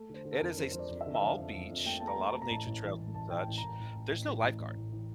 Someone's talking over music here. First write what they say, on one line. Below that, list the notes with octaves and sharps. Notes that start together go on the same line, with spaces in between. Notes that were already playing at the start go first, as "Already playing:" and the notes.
it is a small beach, and a lot of nature trails and such. There's no lifeguard.
Already playing: A3
D3 C5
D3
A4
A#4
F2
F2 C5
F3 C5
D5
F2
E5
D3
E5
F3 F5
F2
F2
F2
A3 G5
A3 A5
A#5
A3
A5
A3
A#5
A1 A5
A1
E3
A1
A1 A5
A1 G5
A5
A1
A#5
A1
A1
A1
A1
A2
A1
A1
A1
E3